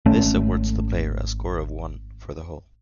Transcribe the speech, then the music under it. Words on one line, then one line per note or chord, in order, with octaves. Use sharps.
This awards the player a score of one for the hole.
G#1 A3 C#4